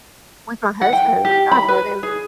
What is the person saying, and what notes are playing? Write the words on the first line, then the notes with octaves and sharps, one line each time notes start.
with my husband, I love him,
F#5
G5
G4
B5
B4
G#4